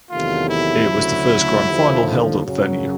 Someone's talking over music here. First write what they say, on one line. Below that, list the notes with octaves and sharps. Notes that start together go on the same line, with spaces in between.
It was the first Grand Final held at the venue.
E2 C3 D#3 F#3 A3 F4
E4
D2 C#3 F#3
D#2 D3 F3
F#2 C#3 F#3